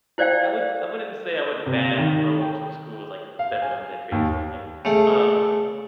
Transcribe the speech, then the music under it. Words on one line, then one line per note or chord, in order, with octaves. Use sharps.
I would I wouldn't say I would ban phones from schools like Finland did recently. Um,
E4 C5 D5 F5 G5
C3
D#3
G5
F5
G#5
D#2
C#3 A3